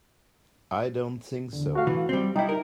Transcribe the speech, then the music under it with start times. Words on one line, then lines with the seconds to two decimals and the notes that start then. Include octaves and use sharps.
I don't think so.
1.53 E2 D3
1.73 A3 F#4 F5
1.87 E3
2.09 G3 C4
2.36 G3 D#4 E4 G5
2.49 A#4